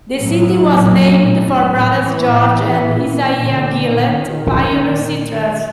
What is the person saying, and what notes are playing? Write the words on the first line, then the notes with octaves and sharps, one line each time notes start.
The city was named for brothers George and Isaiah Gillett, pioneer settlers.
A2 F#3
A#2
A2
A2 E3
A2
A#2
A#2 D3
A#2 D#3
A#2